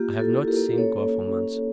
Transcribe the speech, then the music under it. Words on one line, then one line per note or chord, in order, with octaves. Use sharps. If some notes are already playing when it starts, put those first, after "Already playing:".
"I have not seen Gore for months."
Already playing: A#3 F4 G4
E4
A4
E4
G4 A#4
A#3
C#4 A4 C#5
A#3
C#4
C#4